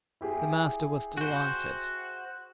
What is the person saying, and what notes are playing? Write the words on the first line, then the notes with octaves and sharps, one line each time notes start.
The master was delighted.
E4 G4 G#4
F#4 C5